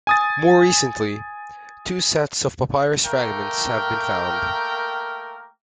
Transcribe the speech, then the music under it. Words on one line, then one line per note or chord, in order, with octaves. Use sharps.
More recently, two sets of papyrus fragments have been found.
G#5 D#6 A6
A3 A#3 A#4 G5